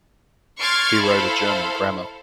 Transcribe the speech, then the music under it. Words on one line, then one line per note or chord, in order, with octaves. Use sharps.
He wrote a German grammar.
C6 C#6 F6 G#6 A6 D7
E4 A4 C5 F5